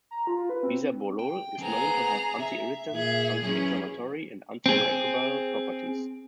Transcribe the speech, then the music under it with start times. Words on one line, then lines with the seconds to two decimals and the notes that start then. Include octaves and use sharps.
Bisabolol is known to have anti-irritant, anti-inflammatory and anti-microbial properties.
0.11 A#5
0.27 F4
0.50 B4
0.63 C4
1.19 G5
1.59 C4 G#4 B4 A#5
2.40 E5
2.91 A#2 G#4
3.42 F#2 E3 C#4 G#4
4.66 C4 G#4